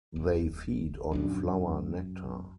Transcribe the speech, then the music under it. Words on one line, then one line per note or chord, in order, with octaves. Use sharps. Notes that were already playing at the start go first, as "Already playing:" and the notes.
They feed on flower nectar.
D1
D#1 A#1 F#2 D4